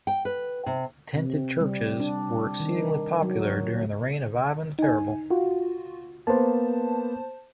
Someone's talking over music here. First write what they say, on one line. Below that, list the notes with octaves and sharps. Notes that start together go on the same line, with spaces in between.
Tented churches were exceedingly popular during the reign of Ivan the Terrible.
G5
B4
C3
C3
G3
D4
D#3
F#3
D#4 G#5
F4 F#4
A#3 B3 C5 A5